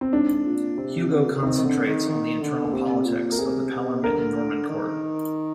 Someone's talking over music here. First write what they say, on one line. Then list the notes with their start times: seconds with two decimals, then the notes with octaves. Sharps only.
Hugo concentrates on the internal politics of the Palermitan Norman court.
0.01 C4
0.12 G#2 D4
0.45 A#2
0.78 C3 C4
1.11 D3
1.17 C3
1.25 A#2
1.31 C3
1.43 D#3 C4
1.58 D#3
1.65 D3
1.86 D#3
2.08 D#3
2.41 D3
2.64 A#3
2.73 C3 C4
3.06 A#2
3.32 A#4
3.38 C3 G#4
3.71 C3
4.03 D3 A#4
4.69 D#3